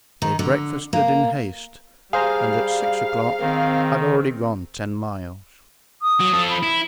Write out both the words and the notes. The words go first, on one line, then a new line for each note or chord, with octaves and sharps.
They breakfasted in haste, and at six o'clock had already gone ten miles.
D#3
D3
A#3
G3 G#4 C5 F5 A#5
D#3 C4
D#6
F#3
F3 A4
B5
E4